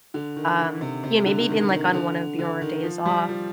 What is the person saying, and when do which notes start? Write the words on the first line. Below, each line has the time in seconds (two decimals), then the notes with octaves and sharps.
Um, yeah, maybe even, like, on one of your days off,
0.14 D3
0.36 D#3
0.59 D3
0.81 C3
1.04 C3
1.26 D3
1.40 D3
1.48 D#3
1.71 D#3
1.93 D3
2.39 D3
2.61 D#3
2.84 F3
3.06 G3
3.29 F3